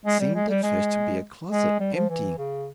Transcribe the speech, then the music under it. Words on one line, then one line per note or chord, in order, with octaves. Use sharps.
It seemed at first to be a closet, empty.
G#3
G3
G#3
G3
G#3
G#3
G3
F3
E3
C#3